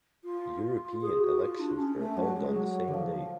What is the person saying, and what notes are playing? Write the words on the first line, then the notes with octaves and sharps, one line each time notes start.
European elections were held on the same day.
F4
G#4
F#4
F4
D4
C#4
A3
F#3
G#3
F#3
D3
F3